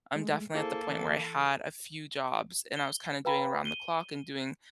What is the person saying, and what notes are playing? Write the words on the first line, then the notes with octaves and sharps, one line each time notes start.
I'm definitely at the point where I had a few jobs and I was kinda doing around the clock and doing
G#3 A3
A#3 E4 G#4 A4 C5
E3
G7
B4 F5 G5 A#5 B5
D#7 G7